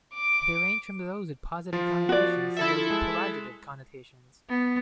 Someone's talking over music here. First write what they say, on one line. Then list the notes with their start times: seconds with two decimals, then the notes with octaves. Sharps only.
They range from those with positive connotations to those with pejorative connotations.
0.13 D6 D7
1.73 F3 F4
2.09 F#4 D5
2.57 E4 A4 E5
2.90 G#3
4.49 B3